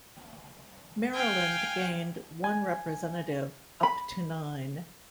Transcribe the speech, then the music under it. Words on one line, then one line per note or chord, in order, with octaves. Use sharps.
Maryland gained one representative, up to nine.
F5 G5 G#5
G#5
B5